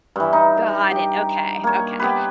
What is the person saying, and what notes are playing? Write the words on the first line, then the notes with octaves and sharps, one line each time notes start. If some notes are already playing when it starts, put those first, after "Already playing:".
Got it. Okay, okay.
G2 E3
D#4
G4
A#3 C#5
B3 G4 B4